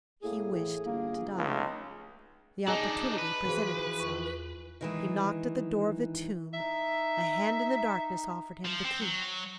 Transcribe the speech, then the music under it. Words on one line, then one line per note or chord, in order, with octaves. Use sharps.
He wished to die; the opportunity presented itself; he knocked at the door of the tomb, a hand in the darkness offered him the key.
A2 A#3 G#4
A2 E3
G1 A#3
F1 C#2 A3
D4 D#4 G#4 D#5
B4
E3 F3 F#4 G#4
E2 F4 C#6
D#3 E3 G#3
D#4 E5
F3
C4
F#3